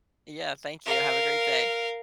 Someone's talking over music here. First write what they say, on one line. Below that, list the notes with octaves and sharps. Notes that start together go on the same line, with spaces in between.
Yeah, thank you, have a great day.
A#4 F5